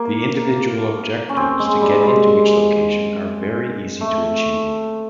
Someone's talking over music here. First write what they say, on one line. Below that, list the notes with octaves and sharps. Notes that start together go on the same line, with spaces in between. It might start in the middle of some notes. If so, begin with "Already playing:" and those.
The individual objectives to get into each location are very easy to achieve.
Already playing: A#3
C#4
C4
G#3
G3
G#3
A3